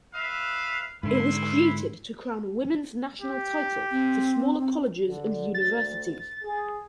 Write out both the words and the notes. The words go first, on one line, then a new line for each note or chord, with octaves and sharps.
It was created to crown a women's national title for smaller colleges and universities.
B4 E5 F5
G#2 D3 E4 B4 C6
G4
C4
D3
D2 A6
G#4